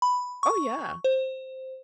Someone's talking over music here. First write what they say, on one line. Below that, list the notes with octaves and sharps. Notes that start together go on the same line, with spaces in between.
Oh, yeah.
B5
C#6
C5